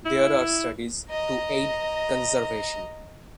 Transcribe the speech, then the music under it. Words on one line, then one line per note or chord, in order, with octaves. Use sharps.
There are studies to aid conservation.
E4
D#5 A#5